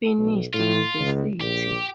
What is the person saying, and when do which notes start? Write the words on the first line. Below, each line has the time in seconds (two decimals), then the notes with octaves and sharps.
Finished university.
0.19 B1
0.53 A2 F4
0.99 C#2
1.41 A#1 G4